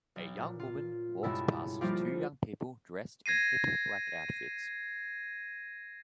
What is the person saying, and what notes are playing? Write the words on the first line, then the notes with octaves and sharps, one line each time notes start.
A young woman walks past two young people dressed in hip black outfits.
B1
A#2
F4
C#2 G2 B2 E4 A5 E6
F3 G3 A3 A#3 F4 G4
G#6 A#6 C7 D#7